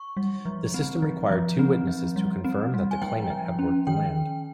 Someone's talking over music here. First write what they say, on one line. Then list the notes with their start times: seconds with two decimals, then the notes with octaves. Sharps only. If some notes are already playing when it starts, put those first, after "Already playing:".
The system required two witnesses to confirm that the claimant had worked the land.
Already playing: C#6
0.17 G3
0.45 F3
0.74 C4
1.02 F3
1.30 F3
1.59 C4
1.87 F3
2.16 G3
2.45 C4
2.74 G3
2.91 G#5
3.02 F3 G5
3.30 F3
3.59 C#4
3.87 D#3 G5